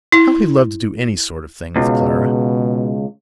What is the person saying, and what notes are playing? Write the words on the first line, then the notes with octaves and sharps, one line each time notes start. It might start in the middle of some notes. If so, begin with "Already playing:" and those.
How he loved to do any sort of thing with Clara!
E4
C#2 B2